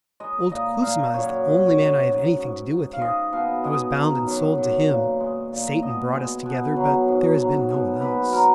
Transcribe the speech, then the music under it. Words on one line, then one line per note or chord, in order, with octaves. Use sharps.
Old Kuzma is the only man I have anything to do with here; I was bound and sold to him; Satan brought us together, but there has been no one else.
G#3 D#5
A#2 D#5
A#2 F5
F#2 C#5
F#2
F#2
G#2
G#2
G#2
F5
G#3 D#5
B2 F5
G#3 D#5
D#3
F#2
F#2
A#2
G#3
A#2
B2 D#5
G#3
B2
F#3
G#2
F#3
B2
B2 B4
F#3 A#4